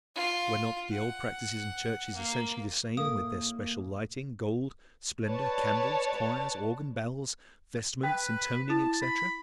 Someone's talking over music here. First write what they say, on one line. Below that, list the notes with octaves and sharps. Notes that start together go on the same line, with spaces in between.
Were not the old practices in churches essentially the same, with their special lighting, gold, splendor, candles, choirs, organ, bells, vestments, intoning, etc.?
F4
F#5
A#3
A2 A#3 A4 A#4 F5 D#6
B4 C#5 D5 A5
B4 G5
E4 A5
B5